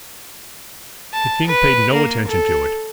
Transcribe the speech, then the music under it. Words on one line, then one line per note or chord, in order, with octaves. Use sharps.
The king paid no attention to it.
A5
B4
A#3
A4